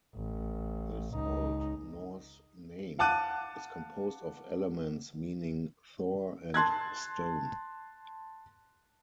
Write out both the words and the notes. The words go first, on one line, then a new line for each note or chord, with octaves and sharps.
This Old Norse name is composed of elements meaning "Thor" and "stone".
A1
C#2 D#4
F5 F#5 A5 D6 F#6 D#7
A5 C6 F#6 G#6